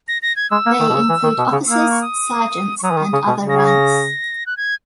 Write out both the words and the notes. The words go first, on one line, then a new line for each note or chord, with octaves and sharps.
They include officers, sergeants and other ranks.
A#6
A#6
G#6
G#3 E6
A#3
D#3
B2
C#3
E3
D#3
B2
C#3
A#3 E6
D#6
C#6
D#6
C#6
F#3 D#6
E3
D#3
C#3
B2
C#3
A#6
G#6
A#6
F#6
G#6